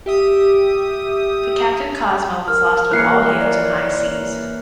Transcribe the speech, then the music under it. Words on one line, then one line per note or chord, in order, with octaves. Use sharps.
The "Captain Cosmo" was lost with all hands in high seas.
G4 E5 D#6
A#4 F6
E3 A#3 C#5 F#6 C7 C#7
D5